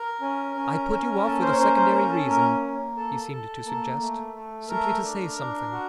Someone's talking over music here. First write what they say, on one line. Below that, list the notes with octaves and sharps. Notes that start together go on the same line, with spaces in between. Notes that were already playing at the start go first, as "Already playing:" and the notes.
"I put you off with a secondary reason," he seemed to suggest, "simply to say something."
Already playing: A#4
C#4
C#4
C#4
A#3 A4
A#4 C5
C#5
C#4 A#4 C5
A#4 C5
C#4 A#4
A4
A#3 A#4
A#3
A4
A4
A#3
A3
A3
A3 A#4
D4
D4
F#4